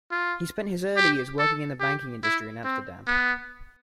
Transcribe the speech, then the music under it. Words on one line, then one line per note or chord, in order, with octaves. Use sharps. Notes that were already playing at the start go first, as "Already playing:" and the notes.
He spent his early years working in the banking industry in Amsterdam.
F4
G4
A4
G4
E4
C4
B3